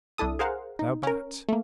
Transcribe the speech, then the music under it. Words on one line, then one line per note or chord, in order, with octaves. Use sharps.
Thou bat!
C2 D4 E4 A4 D#6
G#4 A#4 C5 F5 F#5
D#4
C#4 A#4
A3 A#3